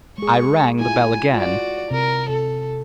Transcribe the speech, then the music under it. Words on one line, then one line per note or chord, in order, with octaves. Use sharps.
I rang the bell again.
G#3 G#4 C#6
E4 F4 G#5
F4 F#4 D5
C3 A#4
C3 A4